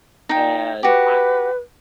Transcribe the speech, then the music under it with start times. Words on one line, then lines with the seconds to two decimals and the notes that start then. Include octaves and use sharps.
And I
0.29 D#4 G5
0.83 F#4 G4 B4